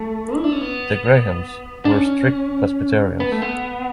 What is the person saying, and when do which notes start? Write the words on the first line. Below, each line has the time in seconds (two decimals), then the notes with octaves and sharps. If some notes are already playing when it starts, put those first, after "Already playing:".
The Grahams were strict Presbyterians.
Already playing: A3
0.36 E4
0.44 D4
0.52 C#4
0.61 B3
1.85 D4
1.91 C#4
3.20 B3
3.32 A3
3.42 B3